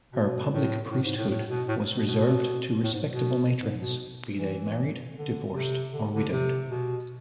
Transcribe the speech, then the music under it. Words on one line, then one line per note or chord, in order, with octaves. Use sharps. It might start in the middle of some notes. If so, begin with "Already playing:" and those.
Her public priesthood was reserved to respectable matrons, be they married, divorced or widowed.
B2
A2
A2
G#2
A2
A2
B2
A2
B2
B2
A2
G#2
B2
G#2
B2
E3
D3
C3
D3
D3
C3
B2